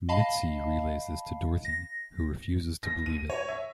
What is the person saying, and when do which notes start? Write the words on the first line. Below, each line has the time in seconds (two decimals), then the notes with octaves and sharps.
Mitzi relays this to Dorothy, who refuses to believe it.
0.09 D#5 F5 A5 B5 C7
1.65 A#6
2.83 A#6
3.06 D#7
3.30 C#5
3.48 E5